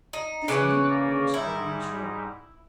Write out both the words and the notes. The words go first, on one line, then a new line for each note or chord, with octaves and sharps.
"This way," urged Bill Renshaw.
D#4
C#3 E3 C#4 D6 F#6
A#3 A#4 D5
G#2 G3 D#4 E4